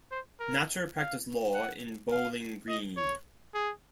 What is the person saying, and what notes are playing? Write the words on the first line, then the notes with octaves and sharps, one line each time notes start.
Natcher practiced law in Bowling Green.
C5
A#4
F5
F#5
F5
D#5
C#5
G#4